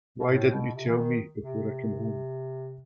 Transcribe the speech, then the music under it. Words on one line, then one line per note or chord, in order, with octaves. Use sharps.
Why didn't you tell me before I came home?
B2
A2
B2
C3
E3
D#3
C3